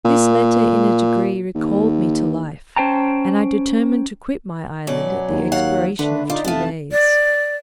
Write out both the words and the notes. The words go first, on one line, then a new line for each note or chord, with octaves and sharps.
This letter in a degree recalled me to life, and I determined to quit my island at the expiration of two days.
A#2
D#2
C#4 C5 G5 A5 A#5
B2 F#3 C#4 D5
D#2
C#5 F5 F#5
D3 A3 D4 B4
D#4 F4 D5
F1 A3 B3 F4 A5
D5